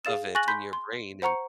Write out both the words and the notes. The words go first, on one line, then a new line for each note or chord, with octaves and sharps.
of it in your brain and
G#4 F5 A6 E7
G#5 C#6 F#6 A6 A#6 F#7
B5 C6 G6 B6
C6
C5 F#5 A#5 C#6 C#7